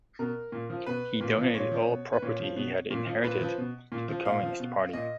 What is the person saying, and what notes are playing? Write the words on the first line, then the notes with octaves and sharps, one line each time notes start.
He donated all property he had inherited to the Communist Party.
B2 A#4
A#2
F3
B2 B4
A#2
F3
A#2 C#5
F3
B2
B4
A#2 C#5
F3
B2
A#2
F3
A#2 B4
F3
B2
A#2
F3
A#2 F5
F3
B2
A#2 D#5